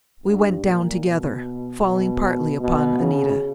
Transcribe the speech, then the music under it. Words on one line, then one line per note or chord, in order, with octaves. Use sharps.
We went down together, falling partly upon Anita.
G2
A#2
B2
B2
B2
C#3